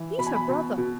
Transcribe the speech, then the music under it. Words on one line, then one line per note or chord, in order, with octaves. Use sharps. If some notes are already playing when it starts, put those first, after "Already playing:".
He's her brother.
Already playing: E3
B2 B5
G#5
B5
B2
B2